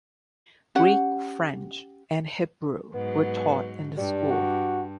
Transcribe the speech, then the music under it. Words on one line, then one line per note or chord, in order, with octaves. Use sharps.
Greek, French and Hebrew were taught in the school.
C#4 G4 F#5
G#2 F#3 B3
G2 G3
F#4